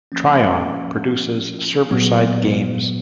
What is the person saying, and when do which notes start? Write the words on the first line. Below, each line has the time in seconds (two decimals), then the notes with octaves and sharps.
Trion produces server-side games.
0.12 F3 A#3 C#4
1.91 A#2 F#3 B3